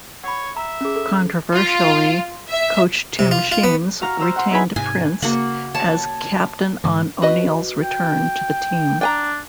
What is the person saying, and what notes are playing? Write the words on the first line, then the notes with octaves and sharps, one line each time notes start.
Controversially, coach Tim Sheens retained Prince as captain on O'Neill's return to the team.
C#5 F#5 B5
E5 A#5
C#4 G#4
A4
F4
E5
C3
F4
F4
B3
F#4 F5 A#5 F6
C5 E6 F6
F#5 C6
D#4 E4 G#4 B4 G#5 B5
G#2 C3 G#5
C#3 A#3 F#4 F#5
C#5 A5
G#2 D3 E3
F#4 B4 D#5
G5
D4 G5 G#5 A#5